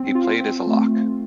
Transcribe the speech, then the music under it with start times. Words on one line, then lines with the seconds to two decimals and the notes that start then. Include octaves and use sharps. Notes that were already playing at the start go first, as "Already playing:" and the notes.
He played as a lock.
Already playing: C4
0.15 F4
0.40 C4
0.66 A3